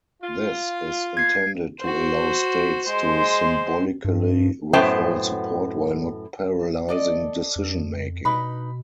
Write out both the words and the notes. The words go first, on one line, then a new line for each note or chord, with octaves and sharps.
This is intended to allow states to symbolically withhold support while not paralysing decision-making.
F4
G#6 C7
F#4 C5
G#3 C5
G2
F#2 A2 B3 C5 G5 A5
A4 D5 D#5
F2
B2 D#4 B4 B5